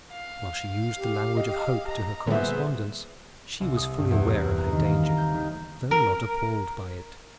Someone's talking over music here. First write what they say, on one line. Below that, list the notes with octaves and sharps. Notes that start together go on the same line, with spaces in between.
While she used the language of hope to her correspondents, she was fully aware of her danger, though not appalled by it.
F5
G4
D#5
A#5
A#2 D3 G3 B3 G#4 C5 E5
C2
D#6
G2
E2
A#4
F#6
A#5
D#3
A#3
A#5
G6
D#3
A#4